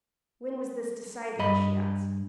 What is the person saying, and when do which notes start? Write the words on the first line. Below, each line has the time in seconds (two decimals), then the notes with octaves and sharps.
"When was this decided?" she asked.
1.39 G2 D#5 B5